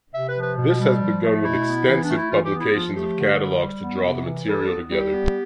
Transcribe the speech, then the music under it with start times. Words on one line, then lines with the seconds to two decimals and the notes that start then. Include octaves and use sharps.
This has begun with extensive publications of catalogues to draw the material together.
0.13 C3 E5
0.28 B4
0.35 F3
0.42 B4
0.57 B2
0.79 G3
1.00 F3
1.22 A3
1.43 B2 E4
1.65 B3
1.87 E3
2.01 D4
2.08 A3
2.16 E4
2.30 E3 F4
2.45 G4
2.52 B3
2.59 E4
2.73 F3 F4
2.94 A3 G4
3.16 D3
3.39 G3
3.60 G3
3.81 B3
4.03 C3
4.24 E3
4.46 G3 A4
4.67 B3
4.89 G3 G4
5.11 B3